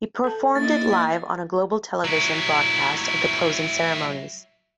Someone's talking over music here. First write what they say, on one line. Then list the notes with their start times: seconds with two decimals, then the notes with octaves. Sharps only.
He performed it live on a global television broadcast at the closing ceremonies.
0.24 A4 A5
0.55 A#3 D#4 E4 D#5 A6
2.05 F#3 E4